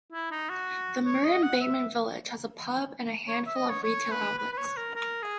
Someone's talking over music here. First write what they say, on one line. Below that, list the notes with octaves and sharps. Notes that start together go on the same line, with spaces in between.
The Murrumbateman village has a pub and a handful of retail outlets.
E4
D#4
F#4
C#5
D#5
F#5
E5
C#5
E5
D#5
C#5
C#5
B4
B4
B4
C#5
A#4
A#4
G#4